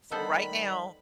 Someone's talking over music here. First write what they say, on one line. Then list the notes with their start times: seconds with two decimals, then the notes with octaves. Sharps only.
for right now,
0.11 D#3 G3 B3 A4 C5 B5